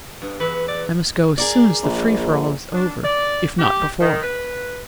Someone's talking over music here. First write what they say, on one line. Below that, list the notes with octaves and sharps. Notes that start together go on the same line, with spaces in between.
I must go as soon as the free-for-all is over, if not before.
G2
E2 B4
D5
G#4 A#4 D5
A#1
D4
D5
G4
D#3
B4